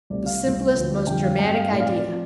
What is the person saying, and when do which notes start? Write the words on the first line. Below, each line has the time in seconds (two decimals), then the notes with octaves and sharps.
The simplest, most dramatic idea.
0.10 C2 C3 A3 C4 D5
0.26 F5
0.42 C2 C3 A3
0.74 D2 D3 F3
1.06 F2 D3 G3 G5
1.23 F5
1.38 G2 G3 C4 G5
1.54 F5
1.71 A2 A3 C4 D5
1.80 F5
1.86 D5
2.04 F3 C4